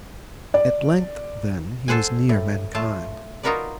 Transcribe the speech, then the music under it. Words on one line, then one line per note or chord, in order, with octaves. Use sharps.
At length, then, he was near mankind.
D5
A4 C5 F#5 G#5
A2
A2 A3 F4 A5
D#4 F4 F#4 A#4 B4 D5